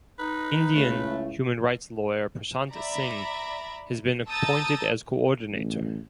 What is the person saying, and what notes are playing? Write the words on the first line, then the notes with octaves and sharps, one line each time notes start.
Indian human rights lawyer Prashant Singh has been appointed as coordinator.
D#4 B4
C#2 C#3 A3 E4
D5 E5 A#5 B5
A5 A#5 D#6 E6 G6 A6
A1